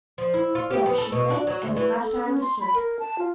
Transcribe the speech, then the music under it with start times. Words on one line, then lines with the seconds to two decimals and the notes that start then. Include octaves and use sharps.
"There!" she said--and at last I understood.
0.18 F3
0.34 E4
0.55 F4
0.71 G4
0.86 B3
0.98 A4
1.12 B2
1.30 D4
1.47 F#3
1.63 D2
1.77 E3
2.04 A4
2.26 C#4
2.41 C6
2.60 B5
2.75 A#4
2.99 A5
3.18 F4